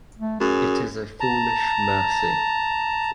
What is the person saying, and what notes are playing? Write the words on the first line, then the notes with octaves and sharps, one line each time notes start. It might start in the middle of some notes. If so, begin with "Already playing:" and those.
It is a foolish mercy.
A3
F#2 G#4
A5 A#5